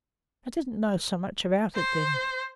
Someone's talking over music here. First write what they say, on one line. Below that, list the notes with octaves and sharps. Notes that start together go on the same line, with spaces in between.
I didn't know so much about it then.
C5